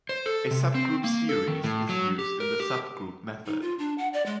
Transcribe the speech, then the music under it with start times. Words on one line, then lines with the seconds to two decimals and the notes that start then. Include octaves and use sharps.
A subgroup series is used in the subgroup method.
0.09 C5
0.26 A4
0.51 C3
0.75 C4
1.04 A#3
1.29 A4
1.47 D#3
1.64 A2
1.89 F#3
2.19 G4
2.40 A#4
2.60 G4
3.46 D#4
3.62 F4
3.79 D4
3.98 F#5
4.14 D5
4.26 G#3